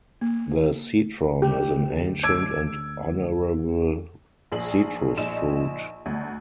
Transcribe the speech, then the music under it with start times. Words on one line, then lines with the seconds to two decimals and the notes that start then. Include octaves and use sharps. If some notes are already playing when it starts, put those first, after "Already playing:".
The citron is an ancient and honorable citrus fruit.
0.21 A#3
1.42 D2 G4
2.23 D6 E6 G#6 D7
4.52 A#1 G#4 F#7
5.17 A#1 D#4 E7
6.06 D2